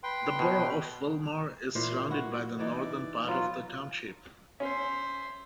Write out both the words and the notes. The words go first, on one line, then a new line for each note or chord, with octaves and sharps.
The borough of Wilmore is surrounded by the northern part of the township.
B4 G5 C6
B2
A#2 E3 C5
E4 F#4
E3 D#4 D5
F#3 B3 F4
C#4 C5 E5